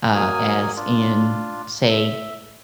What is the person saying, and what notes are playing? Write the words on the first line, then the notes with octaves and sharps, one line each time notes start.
uh, as in, say,
F#3 A#3 G#5 D#6
D4 F4
E5